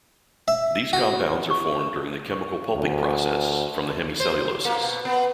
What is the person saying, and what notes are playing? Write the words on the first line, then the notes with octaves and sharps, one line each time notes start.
These compounds are formed during the chemical pulping process, from the hemicelluloses.
E5
F#4
C#6
D2
C5
A#3
B2
B3